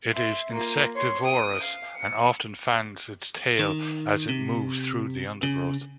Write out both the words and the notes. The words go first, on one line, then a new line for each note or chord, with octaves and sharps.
It is insectivorous, and often fans its tail as it moves through the undergrowth.
E5 C6
A#3 F4
C#5 C6
D#6 D7
F5
C#7
D#3
C3
C#3